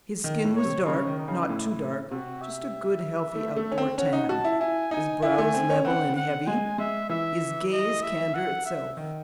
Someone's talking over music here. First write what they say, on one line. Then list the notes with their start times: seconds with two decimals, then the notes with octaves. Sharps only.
His skin was dark--not too dark--just a good healthy out-door tan: his brows level and heavy, his gaze candour itself.
0.24 D#3
0.44 A2
0.56 C#5
0.65 C3
0.86 C#3 C#5
1.07 D#3
1.18 D#4
1.28 C#3
1.48 A2 E4
2.11 C3 F#4
2.42 E5
3.35 A3
3.56 A3
3.71 C#4
3.78 C4
3.98 C#4 F#5
4.13 D#4
4.29 F#4 A5
4.44 E4
4.60 E4 G#5
4.91 D#4 G#5
5.22 E4 G#5
5.38 A3
5.54 C4
5.70 C#4
5.85 C4 F#5
6.16 F#5
6.47 G#3 G#5
6.78 G#3 E5
7.09 E3 E5
7.72 D#5
8.03 E5
8.34 F#5
8.66 E5
8.97 D#3